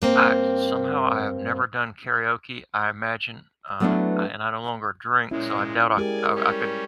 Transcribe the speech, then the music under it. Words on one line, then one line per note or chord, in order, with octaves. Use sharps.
I somehow, I have never done karaoke, I imagine uh, and I no longer drink, so I doubt I c I I could
G2 A#3 C4
F#3 A3 B3 C4 D4 E4
A#2 G#3 C#4 E4
G#3 G4 G#4 A#4 D5 G#5
G3 C#4